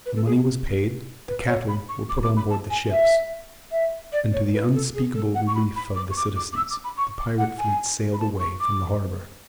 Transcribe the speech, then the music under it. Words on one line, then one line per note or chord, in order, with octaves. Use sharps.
The money was paid, the cattle were put on board the ships, and to the unspeakable relief of the citizens, the pirate fleet sailed away from the harbor.
B4
A4
G#4
B4
C#5
B5
C#6
D6
D6
B5
A5
G#5
E5
E5
D5
C#5
B4
A4
G#4
A4
F#5
C#6
B5
B5
D6
C#6
D6
D6
D6
E6
D6
B5
C#6
D6
F#5
G#5
B5
A5
C#6
D6